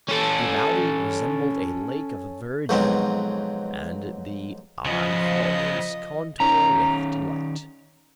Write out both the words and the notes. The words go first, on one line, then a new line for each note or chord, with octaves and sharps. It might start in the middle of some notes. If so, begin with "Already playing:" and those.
The valley resembled a lake of verdure and the eye followed its contour with delight.
C#4 A4
F2 G#2 B2 F#3 C4
C#3 F3 B3 D#5
D#3 C#4 A#5